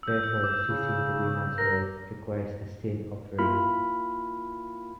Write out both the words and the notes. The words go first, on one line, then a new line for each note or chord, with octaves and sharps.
Therefore, ceasing to be nazirite requires a sin-offering.
E6 G6
E6
D6
C#3
A#4 A#6
A#3 E4 F4 B5 F6